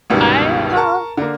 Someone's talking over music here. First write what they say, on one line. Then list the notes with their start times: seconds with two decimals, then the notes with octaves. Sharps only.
I ha
0.10 G1 C#2 B2 D#3 G3
0.76 A#4 A5 C#6
1.18 D3 A#3